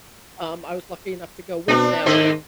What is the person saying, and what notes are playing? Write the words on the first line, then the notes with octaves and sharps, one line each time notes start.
um, I was lucky enough to go with them,
B2 C4 D4
G#2 D#3 C5 D#5